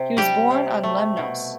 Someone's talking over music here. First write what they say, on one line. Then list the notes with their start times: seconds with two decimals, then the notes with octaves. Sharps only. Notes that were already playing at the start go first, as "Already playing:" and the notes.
He was born on Lemnos.
Already playing: C3
0.17 G3 G4
0.51 C3
0.84 A3
1.17 B2